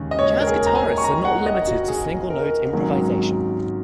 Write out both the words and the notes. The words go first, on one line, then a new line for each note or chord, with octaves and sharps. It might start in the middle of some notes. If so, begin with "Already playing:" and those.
Jazz guitarists are not limited to single note improvisation.
Already playing: D#2 C#3 G#3 C#4
D#5
C#5
A#4
G#4
A#5
G#5
C#6
A#5
F#5
D#5
F#4
G#4
A#4
G#1 G#2 F#3 C#4